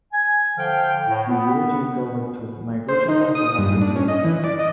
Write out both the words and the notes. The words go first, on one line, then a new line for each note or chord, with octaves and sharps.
The village recovered through migration from surrounding areas.
G#5
D3 F3 F5 G5
A2
B3
C5
D#4
D#6
G2
D4
C#4
D#5
E3
D5
D#5